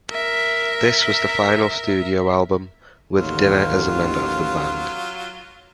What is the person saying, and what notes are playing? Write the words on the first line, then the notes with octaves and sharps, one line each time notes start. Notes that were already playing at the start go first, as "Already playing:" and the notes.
This was the final studio album with Dinner as a member of the band.
A#4 E5
A1 D#2 F#3 F4